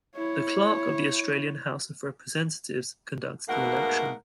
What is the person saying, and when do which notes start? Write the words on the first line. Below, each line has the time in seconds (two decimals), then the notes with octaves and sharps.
The Clerk of the Australian House of Representatives conducts the election.
0.16 E4 C#5
3.49 G#2 B2 A3 A#3 A#4 F#5